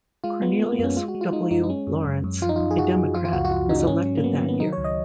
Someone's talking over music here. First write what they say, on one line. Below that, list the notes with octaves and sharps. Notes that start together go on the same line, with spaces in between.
Cornelius W. Lawrence, a Democrat, was elected that year.
G#3 F4
G#3 B3
G#3 A#3
B3
F#2
C#4
G#3 F4
F#4
G#3
F4
G#3 D#4
F#2 D#4
D#4
G#3 C#4
F#2
F#2
F#2
F3 F4
D#4
F#2 F4
G#4
F#2 F#4
F#2
F3 F4
F4
C#2 F#4
F#4
C#2 F4
C#3 D#4
D#4
G#2 C#4
F#3
A#3
F#3 B3
B3
D#3
B3
F#3 D#4
C#5
C#2
D#5